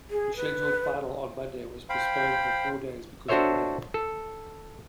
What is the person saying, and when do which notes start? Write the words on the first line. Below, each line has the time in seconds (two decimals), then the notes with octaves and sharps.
The scheduled final on Monday was postponed for four days because of rain.
0.10 G#4
0.37 B4
1.89 C5 F5 G5 B5
3.28 D4 F#4 A4 C5 C#5 E5
3.94 A4